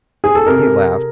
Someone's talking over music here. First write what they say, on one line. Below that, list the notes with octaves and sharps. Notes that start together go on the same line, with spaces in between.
He laughed.
G#4
A4
C3 A#4